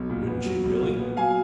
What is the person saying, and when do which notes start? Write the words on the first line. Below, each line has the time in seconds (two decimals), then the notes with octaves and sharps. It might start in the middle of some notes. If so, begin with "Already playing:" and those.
"Wouldn't she really?"
Already playing: B1
0.10 A#2
0.27 B3
0.46 F#3
0.64 B1
0.81 A#2
0.99 B3
1.17 F#3 F5 G#5